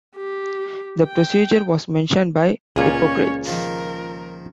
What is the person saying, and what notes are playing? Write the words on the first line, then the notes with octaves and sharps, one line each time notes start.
The procedure was mentioned by Hippocrates.
G4
G5
C#2 A#2 C#4 F4 G#4 C#5
D#3 F3 A#3 A#4